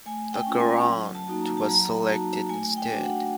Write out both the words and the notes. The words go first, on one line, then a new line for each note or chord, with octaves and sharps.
The Garand was selected instead.
A3 G#5
G5
C#4 F4
G#5
F#3
A5
A#3 D#4 F#4
A#5
A5
F#3 A#5
A#3 D#4 F#4 A5
A3 G#5
G5
D4 F#4
F#5